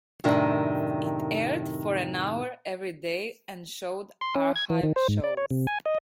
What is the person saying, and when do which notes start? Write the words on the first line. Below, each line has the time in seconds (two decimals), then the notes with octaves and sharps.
It aired for an hour everyday and showed archive shows.
0.24 F#2 A2 C3 D#3 D4
4.21 C6
4.35 C#4
4.56 G#6
4.70 E3
4.83 D#3
4.96 C5
5.08 G#2
5.24 D5
5.37 C#5
5.51 C3
5.67 G#5
5.86 D#5